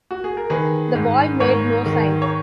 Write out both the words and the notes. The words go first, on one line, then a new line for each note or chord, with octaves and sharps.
The boy made no sign.
F#4
G#4
A#4
D#3 G#4 B4
G#2
G#2 A#4 C#5
D#3
C#5